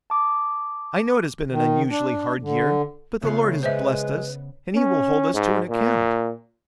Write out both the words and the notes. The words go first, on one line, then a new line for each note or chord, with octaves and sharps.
I know it has been an unusually hard year but the Lord has blessed us and He will hold us to an account.
A5 D6 D#6
D#3
D4
D3
C#3 A3 B3 F4 C7
G#3 B4 C5 E5
C#4
G#2
A#2